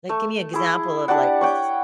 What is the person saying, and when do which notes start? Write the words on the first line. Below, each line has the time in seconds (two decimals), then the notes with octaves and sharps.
Like, give me an example of, like, s
0.09 A3
0.53 E4 G#4
1.08 D4 G4 D5 F#5
1.41 C#5 F#5 G5